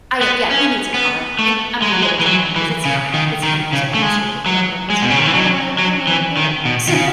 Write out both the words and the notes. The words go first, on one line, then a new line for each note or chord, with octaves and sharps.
I uh, yeah, he needs a car and I'm gonna give it to him 'cause it's time, it's time for someone else to take it over 'cause, you know, I don't wanna I don't wanna repair it. So
B3
C#4
B3
A3
G#3
F#3
G#3
E3
F#3
E3
C#3
D#3
D#3
C#3
A3
G#3
F#3
G#3
B2
C#3
D#3
E3
F#3
F#3
E3
D#3
B2
D#3
C#3